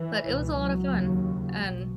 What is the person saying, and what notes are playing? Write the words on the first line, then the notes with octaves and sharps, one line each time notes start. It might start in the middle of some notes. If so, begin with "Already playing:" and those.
But it was a lot of fun. And
Already playing: E3
C#2 B2
F#3
D#2 C#3
B1 B2